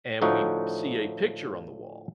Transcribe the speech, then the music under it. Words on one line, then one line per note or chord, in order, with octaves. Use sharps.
and we see a picture on the wall,
A2 D3 F3 D#4 F#4